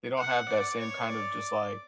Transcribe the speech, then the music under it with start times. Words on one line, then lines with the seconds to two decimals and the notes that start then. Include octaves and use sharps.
they don't have that same kind of just, like
0.18 F#5
0.49 D5
0.79 C#5
1.09 D5